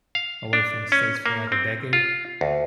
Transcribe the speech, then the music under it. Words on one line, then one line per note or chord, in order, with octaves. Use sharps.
away from the States for like a decade.
F5
D4
C#4
A#3
C4
F4
D2